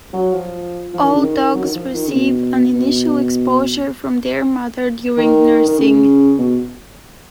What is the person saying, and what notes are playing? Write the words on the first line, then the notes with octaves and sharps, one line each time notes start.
All dogs receive an initial exposure from their mother during nursing.
F#3
F3
F3
D#3
C#3
D#3
F#3
D#3
F3
D#3
C#3
B2
B2
D#3
D#3
C#3
B2